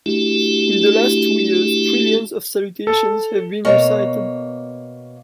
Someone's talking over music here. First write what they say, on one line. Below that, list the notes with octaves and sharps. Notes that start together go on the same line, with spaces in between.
In the last two years trillions of salutations have been recited.
A3 D4 E4 F#4 G4
A4
B2 A#3 C#5